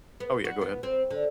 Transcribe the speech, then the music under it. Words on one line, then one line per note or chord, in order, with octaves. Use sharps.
oh, yeah, go ahead.
B3
F#4
B3
C4
D3